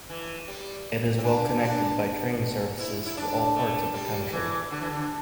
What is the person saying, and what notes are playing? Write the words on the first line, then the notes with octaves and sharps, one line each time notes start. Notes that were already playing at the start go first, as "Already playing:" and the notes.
It is well connected by train services to all parts of the country.
E3
G3
C4
D4
E4
D4
E4
E4
D4
A3
G3
G3
E3
D3
E3
D3